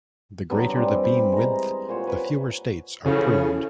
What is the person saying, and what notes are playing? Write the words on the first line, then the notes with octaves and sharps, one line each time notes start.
The greater the beam width, the fewer states are pruned.
D3 F#3 G3 B3
E3 G3 C4
C5 B5
G#3 A#5
A#2 C5 C#5 F#5
B4
C#3 F3 F#3 C#4 E4 A4